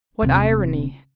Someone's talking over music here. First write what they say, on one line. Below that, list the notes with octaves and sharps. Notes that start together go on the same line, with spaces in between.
What irony!
D#1 C3